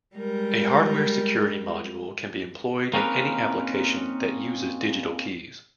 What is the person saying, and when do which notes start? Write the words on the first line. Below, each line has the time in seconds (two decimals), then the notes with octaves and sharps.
A hardware security module can be employed in any application that uses digital keys.
0.16 G3 G#3 A#4
2.94 A#3 C4 C#4 D#4 A#4 B4